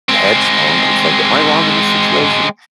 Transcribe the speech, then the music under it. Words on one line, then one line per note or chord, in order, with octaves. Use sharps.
headstrong, but it's like, am I wrong in this situation?
G#3 C4